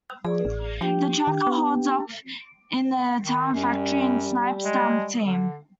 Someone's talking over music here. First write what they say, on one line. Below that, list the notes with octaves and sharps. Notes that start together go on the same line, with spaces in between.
The tracker holds up in the town factory and snipes down the team.
F3 G#4 D5
A1
F3 D4 G4 G5
D#3
B3
D#3
F#2 G3
G#3
D3